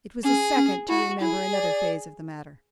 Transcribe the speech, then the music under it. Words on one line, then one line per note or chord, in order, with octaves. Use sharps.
It was a second to remember another phase of the matter.
C#4 G#4
C#4
E4 F#4
E4 G#4
D5